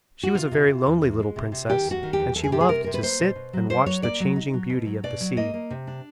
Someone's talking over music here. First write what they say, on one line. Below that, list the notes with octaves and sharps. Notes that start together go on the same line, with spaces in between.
She was a very lonely little princess and she loved to sit and watch the changing beauty of the sea.
F#4
C3 F4
C3
C3
E2
E2
G#3
C3
C3
D#3 G4
E2
F#4
D#3
G4
E2
E2 A4
G#4
C3 G4
G#4
C3 A#4
C3 A#4
B4
A#3 C5
B2
B2
F#3
F#3 C5
F#3 C#5
A#3 D5
F#3
D#4
F#3
B2
F#3
B2 D5
F#3
A#3 D#5
A#3
C3
D4